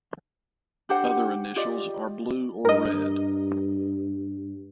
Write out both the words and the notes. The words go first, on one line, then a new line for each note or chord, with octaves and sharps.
Other initials are blue or red.
D4 G4 C5 F#5
F4 G4 D5 D#5
G2 A#4 D#5